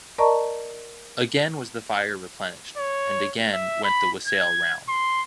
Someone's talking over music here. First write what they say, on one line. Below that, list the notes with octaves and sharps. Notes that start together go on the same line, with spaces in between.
Again was the fire replenished, and again went the wassail round.
A#4 D5 D#5 A5 A#5 C#6
C#5
E5
B5
G#6
C6